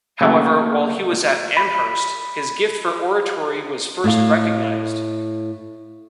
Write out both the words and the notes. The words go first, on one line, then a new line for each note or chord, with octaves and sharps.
However, while he was at Amherst, his gift for oratory was first recognized.
C#3 F#3 A3 A#3
B5
A2 F5